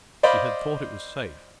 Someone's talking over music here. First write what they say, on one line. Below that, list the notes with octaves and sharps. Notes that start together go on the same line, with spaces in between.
She had thought it was safe.
C5 D5 D#5 F5 B5